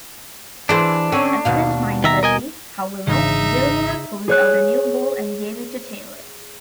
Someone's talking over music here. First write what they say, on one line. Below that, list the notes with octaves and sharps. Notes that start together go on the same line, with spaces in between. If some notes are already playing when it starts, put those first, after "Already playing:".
Absentmindedly, however, Delmore pulled out a new ball and gave it to Taylor.
E3 D4 G#4 C5
D3 C4 C#4
D#2 B2 F5
D#3 E5 A#5
A#4 D#5 G#5
G#1 C#3 E3 D4 D#4 E5
G#4 C#5 F#6